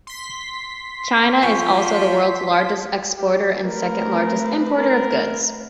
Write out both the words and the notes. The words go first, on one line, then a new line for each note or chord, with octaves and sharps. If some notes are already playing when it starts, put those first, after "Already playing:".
China is also the world's largest exporter and second-largest importer of goods.
C6 B6
F3 G#5 C#6 G6
G4
A3 C4 A#4 B4
A#4